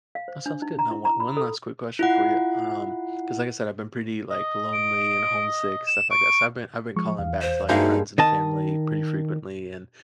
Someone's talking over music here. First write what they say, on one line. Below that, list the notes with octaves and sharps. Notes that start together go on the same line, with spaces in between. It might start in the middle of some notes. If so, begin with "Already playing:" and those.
That sounds good. Now, o one last quick question for you, um 'cause, like I said, I've been pretty, like, lonely and homesick, stuff like that. So, I've been I've been calling back to, like, friends and family pretty frequently, and,
F5
C5
D4
D#4
A#5
E4
A#5
B5
A4
E4 F4 F#5
D#5
D7
E7
C#6 D7
F3 G#3 C#6
E2 F5
C5
G2 G#3 A#3 D#4 F#4 C5 E5
D#3 D#5 A5